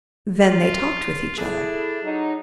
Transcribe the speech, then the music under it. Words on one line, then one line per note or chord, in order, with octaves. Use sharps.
"Then they talked with each other."
F4
D4 E4 G#4 A4
F#3 D#4